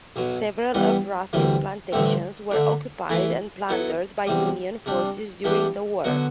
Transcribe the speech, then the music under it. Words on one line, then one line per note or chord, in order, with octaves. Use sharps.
Several of Ruffin's plantations were occupied and plundered by Union forces during the war.
B1 B2 F#3
G2 E3 G3 B3
D2 C3 E3 G3
A1 G2 D3 A3 C4
D3 A3 D4
E3 A3 E4 B4
F#3 B3 E4 A4
E2 C3 G3
C3 G3 D4
E3 G3 B3 D4 G4
D3 F#3 B3 F#4